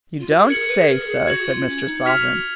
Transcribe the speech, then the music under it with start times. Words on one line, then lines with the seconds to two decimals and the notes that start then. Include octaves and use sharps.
"You don't say so," said Mr. Salvin.
0.19 F4
0.30 F#4
0.39 G#4
0.48 A#4 G#6 C#7 F#7
0.60 A#4
0.68 B4
0.79 G#4
0.88 A#4
1.07 G#4
1.27 F#4 G#6 C#7 F#7
1.47 F4
1.66 C#4
1.86 D#4
2.05 F#4 F6 B6 F7